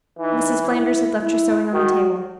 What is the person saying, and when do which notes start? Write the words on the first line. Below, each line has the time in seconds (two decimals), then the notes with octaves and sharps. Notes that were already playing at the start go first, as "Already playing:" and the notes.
Mrs. Flanders had left her sewing on the table.
0.19 E3 D#4
0.71 E4
1.23 E4
1.73 D#3 F#4